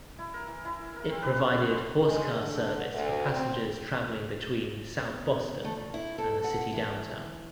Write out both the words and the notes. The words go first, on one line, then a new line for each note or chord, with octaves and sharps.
It provided horsecar service for passengers traveling between South Boston and the city downtown.
E4
A#4
E3
E4
A#4
C4
B4
C#4
B3
C5
G#3
D3
D2
C4
B3
A3
A#2
E4
A4
F#5
E3